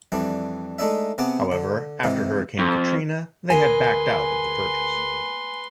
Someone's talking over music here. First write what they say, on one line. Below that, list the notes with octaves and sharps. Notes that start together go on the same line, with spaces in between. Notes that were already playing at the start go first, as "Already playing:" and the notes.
However, after Hurricane Katrina, they had backed out of the purchase.
F2 E3 G3 D4
G#3 A3 D4 D#4 D5 E5
C3 B3 G#4 F#5 A5 D6
D3
G#2 C3 D#3 E3
F2
D2 G#4 A#4 B4 G#5 C6